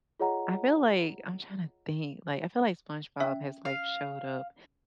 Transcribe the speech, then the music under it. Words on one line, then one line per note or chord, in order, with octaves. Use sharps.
I feel like I'm trying to think, like, I feel like, SpongeBob has, like, showed up
F4 G#4 C#5 D#5 F#5 A#5
C#4 E5
F5